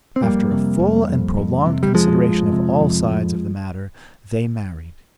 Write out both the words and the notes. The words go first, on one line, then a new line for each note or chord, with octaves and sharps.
After a full and prolonged consideration of all sides of the matter they married.
C4
F2 G3 A#3
C3
F2
F2
F2
C3
G3
F2 F3 G#3
F2
C3
F2
F2